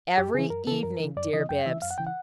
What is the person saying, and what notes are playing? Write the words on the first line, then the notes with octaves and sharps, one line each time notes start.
"Every evening, dear Bibbs!"
F#2 G4
C#3 E3 G#4
F#2 A#4
C#3 E3 A4
F#2 A#4
C#3 E3
F#2 D5
C#3 E3 D#5
F#2 G5
C#3 E3 E5
F#2 F5
F#5
C#3 E3 G5
F#5